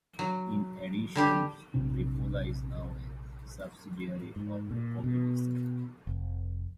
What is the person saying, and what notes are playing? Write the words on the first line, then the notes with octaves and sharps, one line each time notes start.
In addition, RevOla is now a subsidiary of PoppyDisc.
F#3
D3 G3 G4
A#1 A2 C3 C#4
G#2
A#2
B2
F1